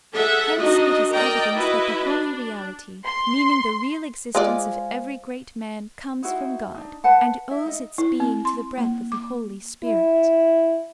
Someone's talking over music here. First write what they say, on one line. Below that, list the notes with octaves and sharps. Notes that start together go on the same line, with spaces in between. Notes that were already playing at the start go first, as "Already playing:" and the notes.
Hence it is evident that the holy reality, meaning the real existence of every great man, comes from God and owes its being to the breath of the Holy Spirit.
G#4 A4 E5 F#5
D4 D#4 F#4 D#5
A#4 D5 D#5 G5 A#5
E4 F#4 B4 D#5
D4
C6
G#3 F4 C5 D5 F5 G#5
D#4 E4 F#4 C5
D4 D#4
B4 F#5 A5
E4 E5
D#4 D#5
E4
C4
C6
A#3
D6
E4